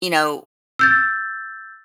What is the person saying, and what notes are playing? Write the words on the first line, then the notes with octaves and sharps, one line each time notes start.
you know
E6 G6 A6